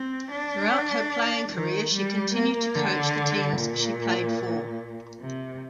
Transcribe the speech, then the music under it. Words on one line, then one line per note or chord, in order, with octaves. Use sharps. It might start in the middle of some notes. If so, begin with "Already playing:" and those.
Throughout her playing career she continued to coach the teams she played for.
Already playing: C4
D4
D#3
G3
A#3
D3
A#2
C3